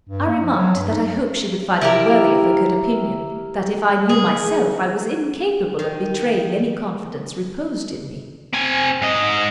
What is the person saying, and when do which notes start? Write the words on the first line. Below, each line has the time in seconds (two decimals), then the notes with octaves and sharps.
I remarked that I hoped she would find me worthy of her good opinion; that if I knew myself, I was incapable of betraying any confidence reposed in me.
0.09 G2
0.27 A#3
0.43 F3
0.56 F#3
0.77 G2
0.91 D#4
1.81 E4 G4 A#4
4.09 G#4
5.79 D#3
8.53 C4 G#5
9.02 G#2 D#5